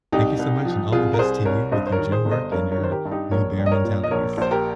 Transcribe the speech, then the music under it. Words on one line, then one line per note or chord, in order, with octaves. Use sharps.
Thank you so much, and all the best to you with your gym work and your new bear mentalities.
C2 D#4 G4
C2
F3
C2 F4 G#4
A#4
C2 G#4 C5
C2 A#4 C#5
G2 C5 D#5
C5
A#4 C#5
D#3
G#4 C5
G1
C5 D#5
G2 A#4 C#5
A#4 C#5
D#3
C5
G4 A#4
G2
D#4 G4
A#1 A#4 C#5
G3
D#5
A#4 C#5
A#2
D#5
A#1 A#4 C#5
A#1 C5
G4 A#4